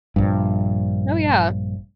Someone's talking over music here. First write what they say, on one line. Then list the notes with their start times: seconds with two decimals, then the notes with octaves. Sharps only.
Oh, yeah.
0.16 A#1 G2